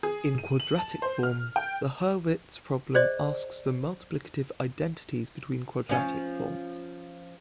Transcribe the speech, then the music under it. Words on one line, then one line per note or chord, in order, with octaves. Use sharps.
In quadratic forms, the Hurwitz problem asks for multiplicative identities between quadratic forms.
G#4
D#7
F#7
A5
C5
F6
G5
G#4 C5 D5 D#5
F3 C#4